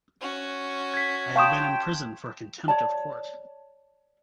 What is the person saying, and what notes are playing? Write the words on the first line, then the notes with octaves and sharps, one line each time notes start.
I have been in prison for contempt of court.
C#4 F#4
G#6 B6
F5 G5 A5 C6 C#6 D#6 E7
C#5 D5 A5